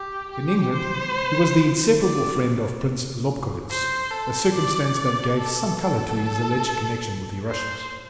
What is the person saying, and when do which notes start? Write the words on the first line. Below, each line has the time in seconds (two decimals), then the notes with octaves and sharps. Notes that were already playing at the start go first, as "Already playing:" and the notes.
In England, he was the inseparable friend of Prince Lobkowitz--a circumstance that gave some color to his alleged connection with the Russians.
Already playing: G4
0.31 G4
0.73 C5
2.00 D5
3.70 C5
4.11 A4
4.54 D5
4.96 D5
5.39 A4
5.81 A4
7.49 C5